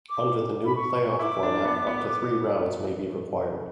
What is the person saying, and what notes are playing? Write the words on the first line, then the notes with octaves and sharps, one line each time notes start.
Under the new playoff format, up to three rounds may be required.
D6
B5
C#6
E4 D6
D4
B3
B3
D6